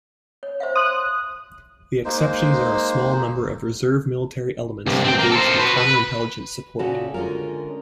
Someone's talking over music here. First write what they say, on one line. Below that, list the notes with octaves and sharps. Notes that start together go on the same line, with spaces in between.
The exceptions are a small number of reserve military elements engaged in counter-intelligence support.
C#5
C5 E5 F5
C6 D#6 F#6
G#3 A#3 D#4 C5
C2 G2
C4 G5
A#3
A4 C5
F#4 B4
B4
A#2 C#3 C#4 D#4 F#4 A4
D3 G#3 C#4 F4 A#4